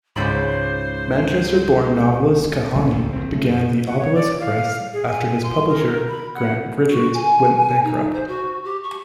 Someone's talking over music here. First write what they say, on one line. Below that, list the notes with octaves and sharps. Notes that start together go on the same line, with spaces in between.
Manchester-born novelist Kahane began the Obelisk Press after his publisher, Grant Richards, went bankrupt.
C#2 G#2 C5 D5 B5
C#2 A#2 E3 F#3
G#1 D2
A#1 C4
C#3 A3 C#4
F2 C#3
F#5
C#5
D5
F5
G#4
G#5
C6
A#4
B5
F#5
F#4
G#5
D#4
C5
F#4
G4
C#6